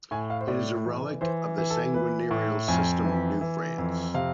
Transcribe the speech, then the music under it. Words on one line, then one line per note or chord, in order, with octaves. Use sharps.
It is a relic of the seigneurial system of New France.
A2 G#5
F5
C5
A2 D5
E3
E3 C5
E3
A4
E3 B4
A2
F2 G#5
E3
E3
F2
C3 F5